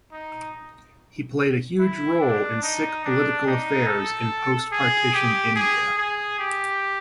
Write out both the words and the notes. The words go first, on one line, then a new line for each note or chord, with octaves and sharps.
He played a huge role in Sikh political affairs in post partition India.
D#4
E4
D4
D#4
D4
D#4
A4
G#4
G4
G#4
G#4
G4